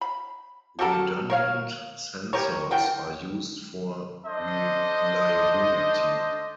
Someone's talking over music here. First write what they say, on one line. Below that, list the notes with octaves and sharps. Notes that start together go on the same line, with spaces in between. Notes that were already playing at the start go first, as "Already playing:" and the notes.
Redundant sensors are used for reliability.
B5
G3 F#4 A4 A#4
A#4 C#5 F5
G4 A#4 B4 C#5
D3 E3 A#4 G5
D4 A4 C5 D#5